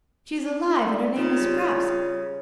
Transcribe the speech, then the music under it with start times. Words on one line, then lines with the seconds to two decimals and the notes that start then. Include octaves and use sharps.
She's alive and her name is Scraps.
0.88 D5
1.16 C#3 D#4 F4
1.39 G3